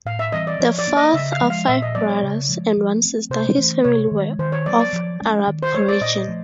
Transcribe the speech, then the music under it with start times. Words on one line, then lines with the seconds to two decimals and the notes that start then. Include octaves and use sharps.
The fourth of five brothers and one sister, his family were of Arab origin.
0.05 A2 F5
0.19 E5
0.32 E3 G3 C4 D#5
0.47 D5
0.59 F3 C#5
0.79 D5
0.87 A#3 D4
0.97 D#5
1.14 C#3 E5
1.32 F5
1.41 F3 G#3
1.50 F5
1.68 A#2 E5
1.82 D#5
1.95 F#3 B3 D4 D5
2.09 C#5
2.23 C#3
2.49 F3 G#3
2.77 F3
3.03 A3 C4
3.30 C3 C5
3.58 E3 A3 C#4
3.84 C3 C#5
4.11 D#3 G#3
4.39 D#3 C5
4.52 C#5
4.66 F#3 B3 D5
4.79 D5
4.93 F3
5.21 G#3 C#4
5.48 D#3
5.63 C5
5.74 G3 C4 C#5
5.88 D5
6.01 A#2 D#5
6.28 F3 A3